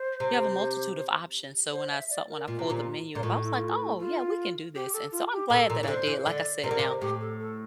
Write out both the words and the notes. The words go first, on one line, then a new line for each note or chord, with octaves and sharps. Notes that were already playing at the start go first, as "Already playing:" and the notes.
you have a multitude of options." So when I saw when I pulled the menu up, I was like, "Oh, yeah. We can do this," and so I'm glad that I did. Like I said now,
Already playing: C5
C3
C5
E5
D5
A#4
A#2 F4
C3
A#2
A#2
A2 F4
E4
E4
F4
E4
F4
G4
A4
F4
G4
A#2 A4
A#2
E3
D3 C5
E3
D3 D5
C3 A#4
D3
C3
A2 G4
A4
A4